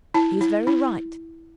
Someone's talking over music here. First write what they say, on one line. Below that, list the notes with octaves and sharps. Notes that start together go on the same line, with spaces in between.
He's very right.
E4 A5
E4
E4